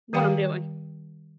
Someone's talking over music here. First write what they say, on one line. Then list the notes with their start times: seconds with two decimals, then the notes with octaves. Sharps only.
what I'm doing.
0.13 D#3 G3 G4 D5 F5 G5